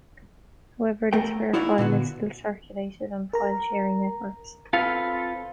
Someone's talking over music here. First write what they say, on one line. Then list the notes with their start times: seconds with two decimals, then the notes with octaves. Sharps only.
However, this rare file is still circulated on file sharing networks.
1.13 A3 A#4 G5
1.53 D#4 E4 F#4 D5 F5
1.78 A#2 D3 B3 F#4
3.33 A#4 A#5
4.73 C4 F4 A4 B4 F5